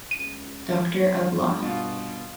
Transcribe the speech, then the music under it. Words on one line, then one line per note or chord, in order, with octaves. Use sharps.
Doctor of Law.
C#2 D#7
G2
B2 F4